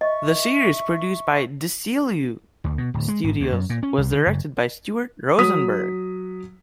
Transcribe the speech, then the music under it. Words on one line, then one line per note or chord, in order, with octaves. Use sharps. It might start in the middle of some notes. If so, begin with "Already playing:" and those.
The series, produced at Desilu Studios, was directed by Stuart Rosenberg.
D#5 E5 C#6
D2
B2
D1
G#3
G#1
D2
F#2
A#2
C#4
C2
D3
F#1
F#3 D#6 B6